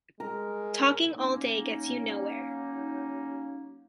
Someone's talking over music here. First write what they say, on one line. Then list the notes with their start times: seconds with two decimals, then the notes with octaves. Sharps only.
Talking all day gets you nowhere.
0.20 G#3 A#4
1.14 F#3 A#3 C#4 D#4